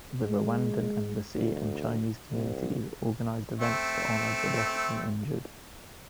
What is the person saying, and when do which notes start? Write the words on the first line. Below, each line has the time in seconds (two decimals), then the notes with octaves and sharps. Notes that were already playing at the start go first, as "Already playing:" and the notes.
The Rwandan embassy and Chinese communities organized events to honor the lost and injured.
0.23 G#3
1.35 D2
2.32 C2
3.60 A3 C4